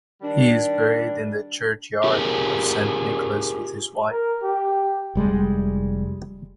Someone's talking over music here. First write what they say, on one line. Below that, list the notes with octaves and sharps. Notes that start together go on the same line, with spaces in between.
He is buried in the churchyard of St Nicholas with his wife.
D#3 G3 D4
F4 G4 G#4 A#4
A#4
G4
F1 G3 G#3